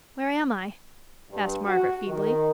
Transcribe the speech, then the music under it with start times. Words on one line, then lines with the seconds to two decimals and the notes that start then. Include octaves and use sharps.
"Where am I?" asked Margaret feebly.
1.30 G2
1.65 F#4
2.07 D#3